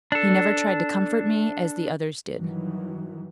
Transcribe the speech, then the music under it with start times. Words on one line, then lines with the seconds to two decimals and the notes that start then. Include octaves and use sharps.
He never tried to comfort me as the others did.
0.12 D4 A4
2.37 G2 D#3 E3 F#3